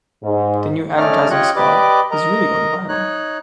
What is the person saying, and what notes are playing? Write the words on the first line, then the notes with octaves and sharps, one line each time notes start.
The new advertising spot is going really viral.
G#2
A3 C#4 D#4 D5 F6
F4 G4 C#5 D#5 C#6 F#6
G4 B4 D5 D#5 D6
A#4 D#5 A#5
D#4 C#5 F#6